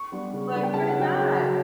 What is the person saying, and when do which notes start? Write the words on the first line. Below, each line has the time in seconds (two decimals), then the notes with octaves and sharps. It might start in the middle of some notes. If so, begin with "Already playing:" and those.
But you're not.
Already playing: C#6
0.12 G3 B3 D4
0.33 C#3
0.53 G3 B3 D4
0.63 G5
0.74 C#3 A5
0.87 F#5
0.94 F#3 C#4
1.01 G5
1.16 C#3
1.36 F#3 C#4